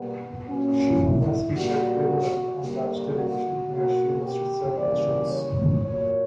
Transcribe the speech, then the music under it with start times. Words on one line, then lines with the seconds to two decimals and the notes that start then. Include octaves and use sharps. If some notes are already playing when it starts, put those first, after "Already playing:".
She was featured regularly on Dutch television where she hosted several shows.
Already playing: B2 G3 A#3 B3
0.48 A#2 F#3 A#3 C#4
1.01 E4
1.55 A#2 G3 A#3 F#4
2.61 D3 G3 A#3 G4
3.16 F#4
3.70 B2 A#3 F#4
4.23 G4
4.76 C#3 E3 G3 A#3 D5
5.30 C#5
5.83 A#2 F#3 A#3 C#5